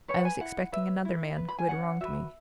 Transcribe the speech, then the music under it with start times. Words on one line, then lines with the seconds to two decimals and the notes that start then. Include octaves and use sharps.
I was expecting another man who had wronged me.
0.08 G#4 B4 C#5
0.18 F#5
0.25 G#5
0.41 E4 F#5
0.72 B4 E5
1.05 E4
1.37 B4
1.48 B5
1.59 G#5
1.69 C#4 F#5
2.01 F#4 B4 E5